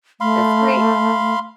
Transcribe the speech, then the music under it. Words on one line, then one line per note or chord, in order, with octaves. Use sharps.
That's great.
A3 F5 B5 C6